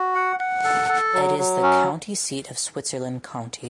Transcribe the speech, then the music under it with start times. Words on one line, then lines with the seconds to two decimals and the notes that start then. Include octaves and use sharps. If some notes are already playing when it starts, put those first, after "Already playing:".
It is the county seat of Switzerland County.
Already playing: F#4
0.15 F#5
0.40 F#5
0.64 A4
0.89 A4
1.13 F#3
1.39 F#3
1.63 C#4